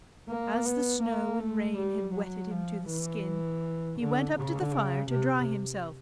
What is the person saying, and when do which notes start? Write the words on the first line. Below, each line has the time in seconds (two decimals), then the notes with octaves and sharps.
As the snow and rain had wetted him to the skin, he went up to the fire to dry himself.
0.29 A#3
0.65 B3
1.03 A#3
1.39 A3
1.77 G3
2.14 F#3
2.51 F3
2.88 E3
3.99 D3
4.36 D3
4.73 C#3
5.10 C3